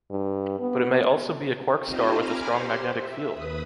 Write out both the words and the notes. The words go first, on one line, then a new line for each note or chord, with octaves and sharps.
But it may also be a quark star with a strong magnetic field.
G2
B3
C4 D#4 F4 G4 C5 D#5
G#5 A#5 B5 D6 F6
G4 C5 C6
E5
D#2 B4 B5 D#6